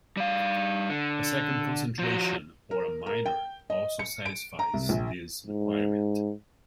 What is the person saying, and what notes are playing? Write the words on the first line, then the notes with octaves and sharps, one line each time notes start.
A second concentration or a minor also satisfies this requirement.
G3 F5
D3
F3 F#4
A#4
A#4
G5
D#5
C#7
D7
A#5
C2
A#1
G#2